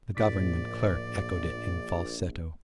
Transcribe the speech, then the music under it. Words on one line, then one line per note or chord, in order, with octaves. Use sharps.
The government clerk echoed it in falsetto.
A#1 A2 D5 D6 B6